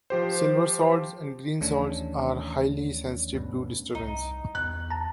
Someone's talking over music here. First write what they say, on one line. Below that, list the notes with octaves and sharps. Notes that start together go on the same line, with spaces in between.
Silverswords and greenswords are highly sensitive to disturbance.
F3 G4 C5
D#2 E3 A3 C#4 D4
D2 G2 B2
C2 D#4
E2 F#6
A5 A#5